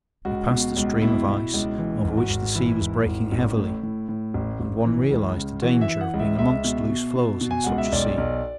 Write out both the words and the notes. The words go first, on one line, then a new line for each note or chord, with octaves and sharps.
We passed a stream of ice over which the sea was breaking heavily and one realised the danger of being amongst loose floes in such a sea.
C#2 F#4
B2
C#2
B2 E4
B2
C#2
E3
G#1
F#4
G#1
E3 E4
G#1
G#1
A1
A2
A2
A2
A1
A1
E3
C#2
C#3
E3 F#4
E5
E3
F#5
C#2
E5
C#2 E5
B2
B2
B2
B2
G#5
C#2 F#5
E5
B1 D5
B1